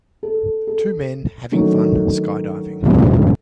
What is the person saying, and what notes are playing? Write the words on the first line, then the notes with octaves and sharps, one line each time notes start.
Two men having fun skydiving.
A4
A4
D3 D#3 F#3 A3 C#4